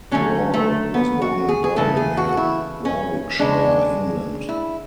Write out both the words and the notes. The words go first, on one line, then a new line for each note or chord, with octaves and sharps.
Rawle was born in Birmingham, Warwickshire, England.
D3 F#3 A3 C#4
A3
B3
F#4
G#4
G#4
C#3 E3 A3 A4
G#4
F#4
E4
C#4
C#3 G#3 D4
E4